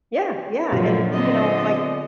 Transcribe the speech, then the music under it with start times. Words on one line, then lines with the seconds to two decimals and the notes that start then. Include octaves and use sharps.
Yeah, yeah, and you know, like,
0.72 A#2 D3 F3 F#3
1.13 D3 B3 C4 D#5